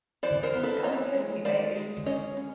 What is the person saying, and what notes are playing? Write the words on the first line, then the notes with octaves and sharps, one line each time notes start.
Come and kiss me, baby.
E3 C5 D5
A#4 C5
B3
A4 B4
E3 C#5 D#5
G#3
G#3 C5 D5
G#3
C#4 C#5 D#5
C#4